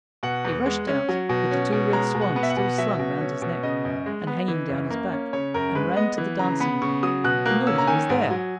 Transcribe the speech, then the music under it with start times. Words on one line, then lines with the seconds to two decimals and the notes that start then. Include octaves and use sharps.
He rushed out, with the two red swans still slung round his neck and hanging down his back, and ran to the dancing ring, but nobody was there.
0.23 B2 F#5
0.45 E2
0.66 G#3
0.87 C#4
1.09 F#3
1.29 B2
1.51 C#4
1.72 B2
1.93 G#3 A#5
2.14 B2
2.22 F#5
2.36 B3
2.43 E5
2.50 F#5
2.57 B2
2.78 F#3 E5
2.99 B2
3.20 C#4
3.42 B2
3.63 C#3 D#5
3.85 F#2
4.06 G#3
4.27 B3
4.48 E3
4.69 F#2
4.90 A#3
5.12 C#4
5.33 C#3 C#5
5.54 F#2 A#4
5.75 G#3 B4
5.96 B3 D#5
6.18 E3
6.39 C#3 A#5
6.60 B3 B5
6.82 C#3 C#6
7.03 F#3 D#6
7.24 B2 F#6
7.46 A#3 F#6
7.67 C#4 E6
7.78 A#5
7.87 D#3 G#5
8.09 G#2
8.31 F#3